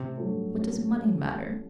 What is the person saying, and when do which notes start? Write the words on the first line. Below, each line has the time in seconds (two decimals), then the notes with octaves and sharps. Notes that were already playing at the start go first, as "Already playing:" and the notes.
What does money matter?
Already playing: A1 C3
0.18 G2 F#3 A3
0.54 A1